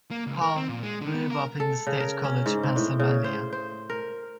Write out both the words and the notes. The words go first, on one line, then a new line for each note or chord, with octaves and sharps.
Kahn grew up in State College, Pennsylvania.
A#3
C#2
A#4
C4
A#2
G#3
D3
B3
A#4
A4
C#3
A#4
C#4
G#2
C4
A2
C#3
C5
C5
A#4